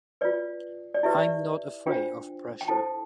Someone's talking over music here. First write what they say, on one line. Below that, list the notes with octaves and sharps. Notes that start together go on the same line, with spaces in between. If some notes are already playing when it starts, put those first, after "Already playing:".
I'm not afraid of pressure.
F4 B4 D5
D5
E4 G4 B4 E5
D5
D4 F4 C5 G5
G5
E4 A4 C5 A5